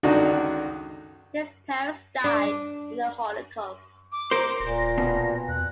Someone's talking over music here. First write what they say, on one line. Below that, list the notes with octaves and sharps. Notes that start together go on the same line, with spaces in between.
His parents died in the Holocaust.
C#2 D3 D#3 D4 D#4 F#4
D4
D6
A#4 C5
D#1 A#2 A#6
B2
E2 F#6